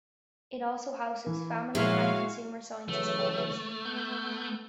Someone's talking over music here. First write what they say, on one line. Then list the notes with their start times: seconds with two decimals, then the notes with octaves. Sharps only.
It also houses family and consumer sciences courses.
1.27 E3
1.75 A#2 F3 G#3 E4 F#4 C#5 F5
2.89 C#3 E3 F#3 A3
3.85 B3 G6